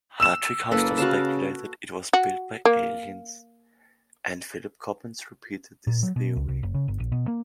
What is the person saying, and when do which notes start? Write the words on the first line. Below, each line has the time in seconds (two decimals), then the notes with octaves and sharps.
Hartwig Hausdorf speculated it was built by aliens, and Philip Coppens repeated this theory.
0.20 E6 E7
0.71 F#1 A#3 A4 B4
0.98 C#3 F#4 F5 A5
2.13 F#4
2.65 A#3
5.87 A#2
6.03 F#3
6.16 B2
6.36 C#2
6.49 C2
6.63 F#1
6.74 C#3
6.88 G1
7.00 A#1
7.12 B2
7.28 A#3